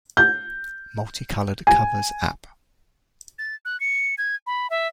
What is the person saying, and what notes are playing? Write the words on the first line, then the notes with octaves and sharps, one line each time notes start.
Multicolored covers, app.
G6
G#5
A6
F#6
C#7
G#6
B5
E5